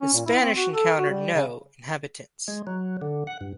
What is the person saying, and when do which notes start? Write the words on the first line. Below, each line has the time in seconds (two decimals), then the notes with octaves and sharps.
The Spanish encountered no inhabitants.
0.02 C#4
0.14 A#2
0.26 E4
0.41 C4
0.56 F#4
0.73 A4
0.98 F#4
1.10 G3
1.34 C#3
2.48 G#3
2.67 F#3
3.02 D3
3.27 F#5
3.41 G2